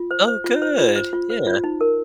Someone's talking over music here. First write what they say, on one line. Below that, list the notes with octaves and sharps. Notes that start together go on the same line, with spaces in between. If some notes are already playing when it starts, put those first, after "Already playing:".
Oh, good. Yeah.
Already playing: F4
C5
C5
F4
C5
F4
C5
F4
C5
F4
D#4
A#4